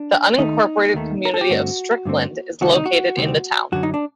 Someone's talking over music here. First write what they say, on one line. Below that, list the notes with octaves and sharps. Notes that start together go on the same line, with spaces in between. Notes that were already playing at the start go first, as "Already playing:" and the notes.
The unincorporated community of Strickland is located in the town.
Already playing: D4
D#2 D#3 A3 D#4
D#2 D#3 A3
A#4
A4
G4
G2 D3 A3 C4 F#4
G2 D3 A3 C4
D2 C3 D#3 G3 C4 F#4
D#4
F#4
D2 C3 D#3 G3 C4
F#2 D3 F#3 F#4
D#4
D4